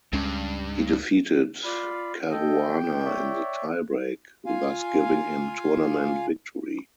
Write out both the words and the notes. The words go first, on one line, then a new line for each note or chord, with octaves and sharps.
He defeated Caruana in the tiebreak, thus giving him tournament victory.
C#2 G2 G#3 C#4
F4 D5 B5
A4 D#5 G5
C#5 D5 E5
F4 F5 G#5